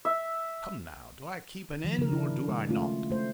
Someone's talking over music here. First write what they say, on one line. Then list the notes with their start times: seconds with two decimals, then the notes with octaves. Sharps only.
Come now, do I keep an inn, or do I not?
0.05 E5
1.84 D#3 F3
1.98 C#3 A#4
2.12 D4 E4
2.48 G#3
2.69 A3 C#4 F4
3.11 A3 C5